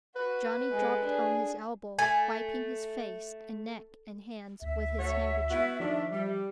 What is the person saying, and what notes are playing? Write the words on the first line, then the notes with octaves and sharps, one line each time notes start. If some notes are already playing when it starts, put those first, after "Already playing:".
Johnny dropped on his elbow, wiping his face and neck and hands with his handkerchief.
F#4 B4
G#3 A4
D4 G#4
A3 G#5
D2 E5
A3 F#4 C#5
B3 E4 F#4
D#3 F3 A3 D4
G3